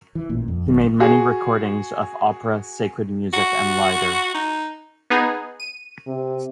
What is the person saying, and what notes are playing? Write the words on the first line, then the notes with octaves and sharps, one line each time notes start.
He made many recordings of opera, sacred music, and lieder.
E3
A1 A#2
F2
G#1 F#3
F#4 G#4
F#4
D#4
B3 D#4 G#4
D#7
C3